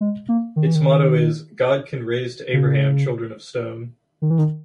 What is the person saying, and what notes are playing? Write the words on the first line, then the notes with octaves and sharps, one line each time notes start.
Its motto is "God Can Raise to Abraham Children of Stone".
G#3
A#3
D#3
E3
D#3
C#3
D#3
E3
D#3